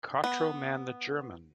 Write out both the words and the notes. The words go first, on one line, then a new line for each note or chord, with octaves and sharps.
"Kotroman the German".
B3